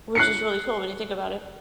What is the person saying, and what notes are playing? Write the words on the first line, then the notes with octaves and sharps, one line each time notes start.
Which is really cool when you think about it.
F#6 C7 C#7